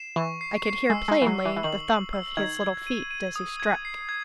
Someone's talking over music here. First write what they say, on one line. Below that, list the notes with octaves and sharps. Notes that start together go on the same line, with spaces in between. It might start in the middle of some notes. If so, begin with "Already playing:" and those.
I could hear plainly the thump of his little feet as he struck.
Already playing: C7 E7
E3 C#6
C7
C7
G#3 E6
G#3
C7
E3
F#3
E6
E3
E3
D#3 F#7
F#7
E6
D#3 G#6
G#6
D#7
D#7
D#6
G#6
C7
G#6